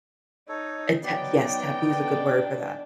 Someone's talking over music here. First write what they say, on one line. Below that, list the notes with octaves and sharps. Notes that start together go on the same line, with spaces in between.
Eh, ta Yes, taboo's good word for that,
D#4 A4 C#5
F#3 B3 D#4 D5 G5
D4